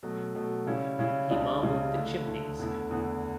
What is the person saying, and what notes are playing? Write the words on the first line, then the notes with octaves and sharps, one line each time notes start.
He marbled the chimneys.
B2 F#3 A3
B2 F#3 A3
C#3 G3 C#4 E4
C#3 G3 C#4 E4
C#2 C#3 E3 G3 D4
C#2 C#3 E3 G3 D4
D2 D3 A3 E4
D2 D3 A3 E4
E2 D3 A3 E4
E2 D3 A3 E4